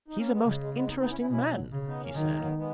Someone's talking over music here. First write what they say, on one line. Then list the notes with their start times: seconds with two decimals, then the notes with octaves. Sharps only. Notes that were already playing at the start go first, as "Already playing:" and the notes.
"He's a most interesting man," he said.
0.08 D#4
0.17 A#3 C#4
0.31 G#3 B3
0.45 C#3 G#3
0.59 G#3
0.73 G#3 B3
0.88 B3 D#4
0.98 B3 D#4
1.08 C#4 E4
1.19 C#4 E4
1.30 B2 C#4 E4
1.45 F#3
1.72 C#3
1.86 B3 D#4
2.00 A#3 C#4
2.15 D#3 F#3 A#3
2.26 G#3
2.37 F#3 A#3
2.47 G#3 B3
2.57 G#3 B3